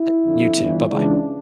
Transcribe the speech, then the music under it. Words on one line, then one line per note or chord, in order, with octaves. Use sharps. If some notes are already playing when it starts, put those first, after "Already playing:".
Eh you too, bye-bye.
Already playing: E4
F2 D3 F3
G1 G2 E3
C#2 C#3 E3 D4